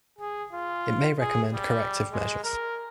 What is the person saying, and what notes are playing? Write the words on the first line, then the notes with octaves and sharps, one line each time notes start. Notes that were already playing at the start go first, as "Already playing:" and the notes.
It may recommend corrective measures.
G#4
F4
G#4
G3
G#3
A#4